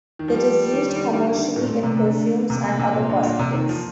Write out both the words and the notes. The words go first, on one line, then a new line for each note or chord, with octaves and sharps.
It is used commercially in perfumes and other cosmetics.
D#3
F3 G3
D#3
D#3
D3
D#3
D#3
D3
D#3
D3
A2
A#2 A3
C3
C3
D3
C3 A#3
C3
C3
A#2
D3
A#2
C3
D#3
F3